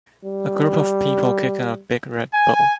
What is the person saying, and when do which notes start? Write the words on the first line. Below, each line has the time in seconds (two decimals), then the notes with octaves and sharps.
A group of people kicking a big red ball.
0.25 G3
2.32 G#5